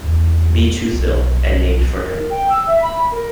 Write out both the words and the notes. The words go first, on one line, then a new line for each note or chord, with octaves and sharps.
B. Tuthill, and named for him.
E2
B1
A#4
G5
E6
E5
B5
A#4